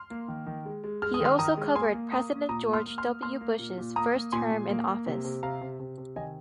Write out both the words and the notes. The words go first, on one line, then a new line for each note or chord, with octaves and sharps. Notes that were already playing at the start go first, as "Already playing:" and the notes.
He also covered President George W. Bush's first term in office.
Already playing: C6 F6
A#3
D#3
D#3
G#3
G#3
G#3 F6
D#6
D#3 C6 F6
D#3 A#5 D#6
G#3
A#3 G#5 C6
A#3
A#3 A#5 D#6
A#3
A#2 A#5 D#6
A#3
C6 F6
A#3
C6 F6
A#3
A#3 C6 F6
A#3
A#2
A#2
A#3 A#5 D#6
A#3
A#2 G#5 C6
A#2
A#3
A#3
C3
C3
C3 F5 A#5
C3
C3
C3
D#3 D#5 G#5